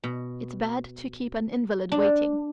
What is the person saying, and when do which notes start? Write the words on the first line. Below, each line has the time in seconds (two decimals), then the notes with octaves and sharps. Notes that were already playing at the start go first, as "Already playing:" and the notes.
It's bad to keep an invalid waiting.
0.04 B2
1.92 D4